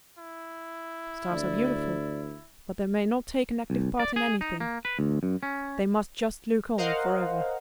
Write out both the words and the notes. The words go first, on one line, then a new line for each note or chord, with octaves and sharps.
Stars are beautiful, but they may not take an active part in anything, they must just look on for ever.
E4
D2 D5
C2
D5
G#4
D#4
A#3
B4
D2
F#2
C#4
A#4 C5 D#5 F5 F#5